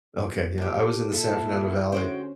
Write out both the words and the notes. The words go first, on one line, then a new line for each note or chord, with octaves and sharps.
Okay, yeah, I was in the San Fernando Valley.
A#1
A2 G4
A#2 E4 A4 E5 A5
D2 G#3 C#4 F#4 C5 G5